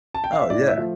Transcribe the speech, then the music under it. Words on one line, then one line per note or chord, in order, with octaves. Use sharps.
Oh, yeah.
A5
G5
F5
E5
A2 D5
E5
F3 A3